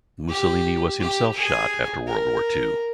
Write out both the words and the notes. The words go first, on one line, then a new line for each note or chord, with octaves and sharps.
Mussolini was himself shot after World War two.
G4
G4
G#4
A#4